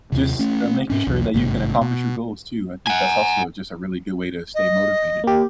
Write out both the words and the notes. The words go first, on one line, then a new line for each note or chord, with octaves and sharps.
just, uh, making sure that you can accomplish your goals too. I think that's also just a really good way to stay motivated.
D#2 C3
A3 C#4
G#2 C#4
B1 E2
G#1 G2 C3 A3
B2
F#5 G#5
D#5
A#3 G4